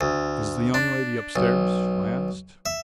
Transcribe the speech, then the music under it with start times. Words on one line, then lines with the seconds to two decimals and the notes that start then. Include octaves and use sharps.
"Is the young lady upstairs?" I asked.
0.01 D2
0.74 D4
1.36 B1
2.66 E5